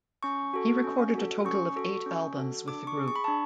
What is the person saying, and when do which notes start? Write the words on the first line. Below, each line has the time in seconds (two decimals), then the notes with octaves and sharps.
He recorded a total of eight albums with the group.
0.23 C#4 C#6
0.54 F#4 A4
0.84 C#4
1.15 F#4 A4
1.45 C#4 C#6
1.76 F#4 A4
2.06 C#4
2.37 F#4 A4
2.68 D4 D6
2.87 C#6
2.97 G#4
3.08 C#6
3.16 B5
3.24 A5
3.28 D4